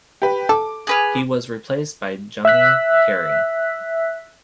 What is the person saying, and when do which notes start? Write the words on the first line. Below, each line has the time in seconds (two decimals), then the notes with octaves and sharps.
He was replaced by Johnny Carey.
0.22 G4 B4
0.49 A4 D6
0.87 G#4 B4 F6
2.45 E5 E6 F#6 B6